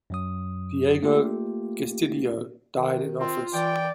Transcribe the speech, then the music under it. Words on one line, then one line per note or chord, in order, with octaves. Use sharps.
Diego Gestido died in office.
F#2 F#3 D#6
A3 A#3 F4 G4
D#3
C4 F4
E3 D5 G5